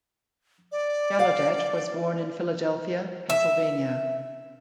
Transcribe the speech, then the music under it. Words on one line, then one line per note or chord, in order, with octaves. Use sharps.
Gallaudet was born in Philadelphia, Pennsylvania.
D5
F5 F#5
E5